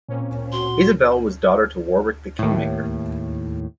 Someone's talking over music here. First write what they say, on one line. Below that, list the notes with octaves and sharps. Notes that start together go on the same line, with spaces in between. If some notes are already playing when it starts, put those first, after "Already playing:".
Isabel was daughter to Warwick the Kingmaker.
A#2 A#3 C4 C#4
F#4 C6
D#2 A2